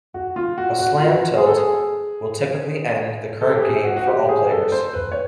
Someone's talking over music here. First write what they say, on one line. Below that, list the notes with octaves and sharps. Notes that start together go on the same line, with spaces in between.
A slam tilt will typically end the current game for all players.
F#4
F4
F#4
F#4
F4
F#4
G#4
A4
G#4
A4
G4
G#4
F#4
F#4
G4
G#4
A4
C5
B4
C#5